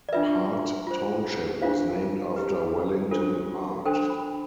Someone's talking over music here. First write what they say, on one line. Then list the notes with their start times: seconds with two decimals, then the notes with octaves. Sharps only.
Hart Township was named after Wellington Hart.
0.09 D5
0.13 D4 F4 B4 E5
0.87 F4 C5
1.62 D4 F4 C5 F5
2.36 E4 G4 B4
3.11 D4 F4 A4 C5
3.85 D4 A4 C5 G5
4.10 B5